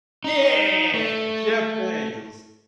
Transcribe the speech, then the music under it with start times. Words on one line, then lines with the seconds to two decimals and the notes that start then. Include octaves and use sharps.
Yeah! Jeff Daniels.
0.24 D#4
0.94 A3